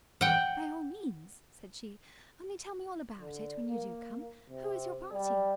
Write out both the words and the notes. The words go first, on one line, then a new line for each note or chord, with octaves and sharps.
"By all means," said she; "only tell me all about it, when you do come. Who is your party?"
F#5 G5
D3
A#3
C3
G3